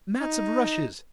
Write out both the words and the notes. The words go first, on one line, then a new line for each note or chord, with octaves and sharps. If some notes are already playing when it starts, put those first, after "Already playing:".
Mats of rushes.
D#4